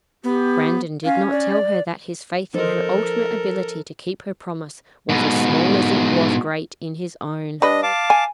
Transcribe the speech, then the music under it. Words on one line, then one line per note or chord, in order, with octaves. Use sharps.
Brandon did not tell her that his faith in her ultimate ability to keep her promise was as small as it was great in his own.
B3 G4
C#4 F5
D5
F3 D#4 A4 A#4 C5
G#2 B2
G3 D4 B4 D#5
F5 A5 D6
G#5